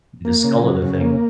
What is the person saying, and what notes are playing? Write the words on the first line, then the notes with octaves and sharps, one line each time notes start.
in the skull of the thing.
A#3
C#3
F#3
C#3
A#3